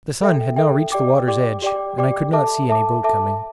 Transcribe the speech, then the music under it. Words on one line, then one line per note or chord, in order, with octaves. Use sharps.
The sun had now reached the water's edge, and I could not see any boat coming.
A4 E5 G5
A4 E5 G5
G4 D5 G5 D6
G4 D5 G5 D6
G4 D5 G5 D6
G4 D5 G5 D6
A4 E5 A5 D6
A4 E5 A5 D6
A4 E5 A5 D6